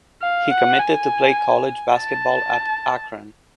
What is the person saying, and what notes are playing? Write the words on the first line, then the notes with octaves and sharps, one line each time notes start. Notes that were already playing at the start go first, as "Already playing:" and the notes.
He committed to play college basketball at Akron.
F5
F#5
G#5
A5